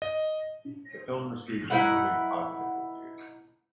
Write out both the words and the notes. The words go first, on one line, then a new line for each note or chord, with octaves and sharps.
The film received generally positive reviews.
D#5
D#4 E4 B4 F#5